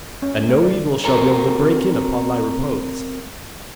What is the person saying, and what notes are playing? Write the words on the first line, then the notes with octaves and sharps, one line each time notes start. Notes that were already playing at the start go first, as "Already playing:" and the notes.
And no evil shall be able to break in upon thy repose.
C#4
A3
D5
C4 F#4 A4 A#4 C#5